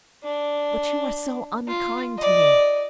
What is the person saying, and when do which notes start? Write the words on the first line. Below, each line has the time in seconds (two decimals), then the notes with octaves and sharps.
"But you are so unkind to me!"
0.23 D4
1.68 F4
2.18 D5 D#5